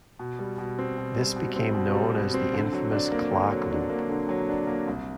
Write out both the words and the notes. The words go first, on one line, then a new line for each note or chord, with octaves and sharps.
This became known as the infamous "clockloop".
B2
G3
B2
C4
B2
G3
B2
C4
B2
G3
B2
C4
D3
F#3
D4
A#3
D3
F#3
D4
A#3
D3
F#3
D4
A#3
C2